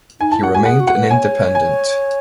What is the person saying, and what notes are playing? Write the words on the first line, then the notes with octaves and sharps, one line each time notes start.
He remained an independent.
D#4 G#5
E4 A5
F#5
F#4 G#5
G#4 F#5
F#4
F#5
B4
C#5 G#5
G#5